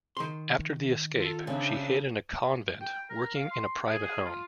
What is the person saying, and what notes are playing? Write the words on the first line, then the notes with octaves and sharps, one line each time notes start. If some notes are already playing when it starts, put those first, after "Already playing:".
After the escape she hid in a convent, working in a private home.
D#3 C6
F4 A4
C#3 C4 D4 E5
G5
A#4
F5
C6
G#4
G#4
F4